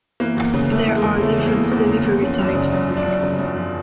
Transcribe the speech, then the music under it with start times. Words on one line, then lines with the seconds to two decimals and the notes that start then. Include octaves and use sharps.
There are different delivery types.
0.20 E3 A#3
0.37 E2
0.54 C#3
0.71 E2 A3
0.88 E3
0.96 G#3
1.05 E2
1.21 C#3 A3
1.39 E2
1.46 A#3
1.55 E3
1.72 E2 A#3
1.88 C#3
2.05 E2
2.22 F3 C#4
2.39 F#2
2.47 D4
2.55 C#3
2.73 F#2
2.89 F3
2.97 D4
3.06 F#2
3.23 C#3
3.39 F#2
3.56 F3